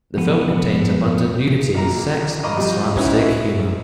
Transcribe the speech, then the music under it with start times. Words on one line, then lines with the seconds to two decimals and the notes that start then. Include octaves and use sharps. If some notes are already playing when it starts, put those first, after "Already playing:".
The film contains abundant nudity, sex and slapstick humor.
0.17 F2 B3
1.74 A#1 A#3 A#5
2.43 D#5 F5 A#5 B5 C#6 D6
2.57 F2 G3
2.96 C4 C#4 D#4 E4 F#4 B4
3.22 E4